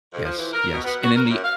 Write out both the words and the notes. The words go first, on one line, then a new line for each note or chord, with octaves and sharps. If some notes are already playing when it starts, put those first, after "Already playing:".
Yes, yes. And in the
F2
F3
E3
A#4
B2
B3
F#4
A#4
F#2
F5